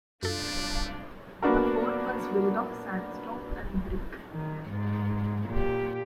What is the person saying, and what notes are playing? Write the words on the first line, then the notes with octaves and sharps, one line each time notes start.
The fort was built of sandstone and brick.
C2 F#2 A3 D4 F4 A4
A#3 B3 D4 F#4 A#4
D#3
G#2
A#2 G4